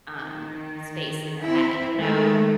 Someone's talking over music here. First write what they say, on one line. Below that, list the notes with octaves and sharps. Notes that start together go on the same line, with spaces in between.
um, space in your head, you know,
D#3
C4 E4
D#3 G#3 A3